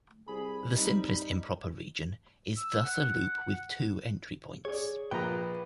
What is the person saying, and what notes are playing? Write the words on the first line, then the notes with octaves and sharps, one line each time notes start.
The simplest improper region is thus a loop with two entry points.
C2 G#4 B5
G3 D#4
E6
F#5
G#4 C#5 D5
A#1 B4 G5 A#5